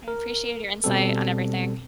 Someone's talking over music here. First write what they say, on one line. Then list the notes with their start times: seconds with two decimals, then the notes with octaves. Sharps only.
I appreciate your insight on everything.
0.08 A#4
0.84 B2 G3 C4 A4